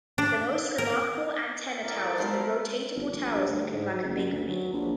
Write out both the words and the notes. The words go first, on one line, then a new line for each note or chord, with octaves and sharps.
The most remarkable antenna towers are the rotatable towers looking like a big "V".
D4
A#4
E4 A4 A#4 D5
G#3 B3 E4 A4 C5
G1
A#1
G2
D2
G#2
F#3
F#1
F#2
D2
F#3
A#1